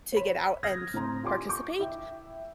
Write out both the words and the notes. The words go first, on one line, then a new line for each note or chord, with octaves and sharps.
to get out and participate.
C5 C#5 B5
D#6 F6 G6 G#6 A#6
A2 C4 A#5 C6
F4 G4 D5 G#5 C6 D6
C#6 D6 G6
E4 E5 G5